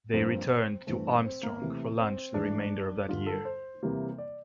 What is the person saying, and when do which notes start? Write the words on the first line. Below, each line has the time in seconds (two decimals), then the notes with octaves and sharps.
They returned to Armstrong for lunch the remainder of that year.
0.14 G2 F3 A#3 C4
0.87 G2 E3 A3 C4
1.24 C4
1.43 A#3
1.61 C3 E3 A3
1.97 C4
2.34 G2 E3 A3 D4
3.08 G2 D3 G3 F4
3.26 A4
3.45 C5
3.83 C3 E3 G3 A#3
4.18 D5